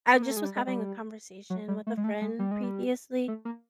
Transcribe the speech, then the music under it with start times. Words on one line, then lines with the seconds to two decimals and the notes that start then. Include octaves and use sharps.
I just was having a conversation with a friend previously
0.15 B3
0.22 A#3
0.30 A3
0.37 G#3
0.44 G3
0.56 G#3
0.67 G3
1.50 F#3
1.68 G3
1.87 A3
1.97 G#3
2.04 A3
2.22 G#3
2.39 G3
2.51 G#3
2.63 G3
3.28 A3
3.45 A#3